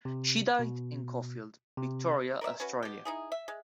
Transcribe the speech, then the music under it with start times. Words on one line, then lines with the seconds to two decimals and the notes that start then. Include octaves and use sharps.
She died in Caulfield, Victoria, Australia.
0.05 C3
0.59 B2
1.77 C3
2.41 A#4 B4 D5 E5
2.60 C#4 F#4 B4
2.83 B2 G4
3.05 D#4 E4 G#4
3.32 E5
3.48 G#3